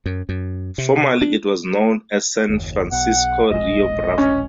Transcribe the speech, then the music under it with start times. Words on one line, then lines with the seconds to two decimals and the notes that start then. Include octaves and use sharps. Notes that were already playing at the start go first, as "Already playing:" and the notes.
Formerly it was known as San Francisco Rio Bravo.
0.06 F#2
0.29 F#2
0.78 C3
1.21 D4
2.50 F#1 D#2
2.92 B1 B2 F#5
3.51 E1 A#1 G#3 D#5
4.18 C#4